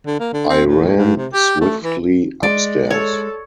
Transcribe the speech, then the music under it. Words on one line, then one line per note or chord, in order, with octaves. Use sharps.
I ran swiftly upstairs.
D3
A#3
D3
C4
A2
G2
C3
G4
A3
E3
G#3 D5
A4 C#5